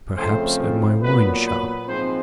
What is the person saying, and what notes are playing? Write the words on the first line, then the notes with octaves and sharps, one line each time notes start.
"Perhaps at my wine-shop?"
F2 C#3 F3 A3 C4 C5
A#2 F#3 B3 B4
B4
G#2 F3 G#3 C4 C5